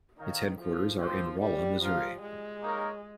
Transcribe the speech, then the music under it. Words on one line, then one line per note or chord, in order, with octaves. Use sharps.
Its headquarters are in Rolla, Missouri.
D#3 D#4 A#4 C#5 F5
F3
F3 C4 G4 C5
G3
F3 F4 A#4 F5
G#3
A#3 D#4 A#4 C#5